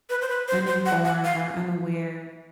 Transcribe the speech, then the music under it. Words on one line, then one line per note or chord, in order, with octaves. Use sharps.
uninformed or unaware
B4
C5
B4
C5
C5
F#5
F#5
F5